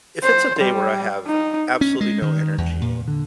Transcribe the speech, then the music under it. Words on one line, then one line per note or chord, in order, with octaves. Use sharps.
if it's a day where I have absolutely no energy,
C5
G3
D#4
C#4
G#3
D#3
E2
A#2
D3